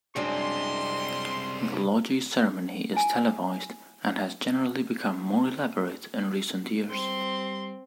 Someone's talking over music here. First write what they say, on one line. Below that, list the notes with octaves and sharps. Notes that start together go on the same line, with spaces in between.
The Logies ceremony is televised, and has generally become more elaborate in recent years.
C2 F#2 G#3 C4 D4 C6
E4 G#5
G3 C4 C6